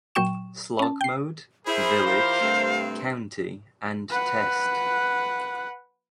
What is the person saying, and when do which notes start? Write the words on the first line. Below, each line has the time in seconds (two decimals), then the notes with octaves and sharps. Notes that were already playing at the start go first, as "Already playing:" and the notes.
Slog mode, village, county and test.
0.15 A#2 F#3 G5 C#6 E7
0.79 C#4 A5
1.01 G5 C7
1.66 E4 G#4 A#4 C5 B5
2.05 F3 E4 G4 F5
2.40 G2 C3 A3 C4
4.10 B4 F#5